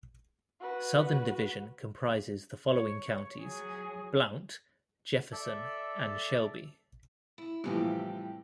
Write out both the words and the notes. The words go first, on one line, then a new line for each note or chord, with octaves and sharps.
Southern Division comprises the following counties: Blount, Jefferson, and Shelby.
F#4 B4
C#5
F#3 G#4
A4 D5 E5
E4
A2 C3 E3 F3 G3 G4